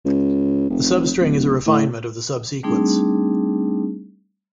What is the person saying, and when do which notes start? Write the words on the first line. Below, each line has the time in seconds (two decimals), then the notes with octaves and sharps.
The substring is a refinement of the subsequence.
0.05 C#2
0.70 F1
1.20 D1
1.66 A2
2.63 G3 A3 C4 D4 D#4 G#4